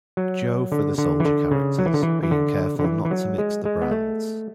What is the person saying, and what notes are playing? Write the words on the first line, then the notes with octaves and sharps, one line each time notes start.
Joe for the soldier characters, being careful not to mix the brands.
F#3
D3
D3
E3
D3
C#3
F#3
E3
D3
E3
E3
D3
D3
E3
E3
F#3
G#3
G#3
B3
A3